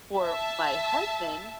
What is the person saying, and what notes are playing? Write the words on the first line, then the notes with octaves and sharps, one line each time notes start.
for my husband,
E5 A5